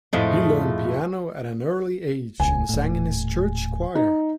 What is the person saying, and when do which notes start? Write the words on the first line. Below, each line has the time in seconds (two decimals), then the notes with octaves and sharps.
He learned piano at an early age and sang in his church choir.
0.13 F2 A2 F3 G#3 A3
2.40 D#1 C#2 G#5
2.69 D#1 A2
3.95 D#4